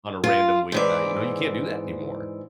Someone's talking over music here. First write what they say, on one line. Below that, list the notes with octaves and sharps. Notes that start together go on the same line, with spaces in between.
on a random weeknight, you know, you can't do that anymore.
F4
G#2 E3 D5